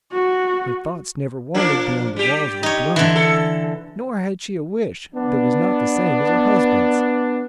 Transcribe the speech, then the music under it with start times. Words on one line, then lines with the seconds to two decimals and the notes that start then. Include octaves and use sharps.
Her thoughts never wandered beyond the walls of her dwelling, nor had she a wish that was not the same as her husband's.
0.13 F#4
1.54 F3 A#3 D4
2.16 G3 G4
2.63 D#4 C#5
2.96 D3 E3
3.16 A4
5.15 B3 D4